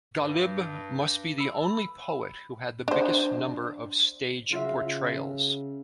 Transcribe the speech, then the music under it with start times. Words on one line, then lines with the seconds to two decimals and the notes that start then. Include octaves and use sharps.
Ghalib must be the only poet who had biggest number of Stage portrayals.
0.17 G2
1.38 B5 E6
2.88 D4 C5
4.52 C#3 F4 F#4 E5